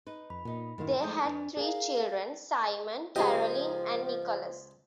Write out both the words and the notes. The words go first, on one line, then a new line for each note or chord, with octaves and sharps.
They had three children, Simon, Caroline, and Nicholas.
D#4 B4
F2 B5
A#2 B3 D#4
F#2 A2 D#3 E4 C5 F5
F3 G#3 A3 C6 D#6 G6
F2 D4 B4
G#4 A#4 F5
C#2 F3 G4 G#4 D#5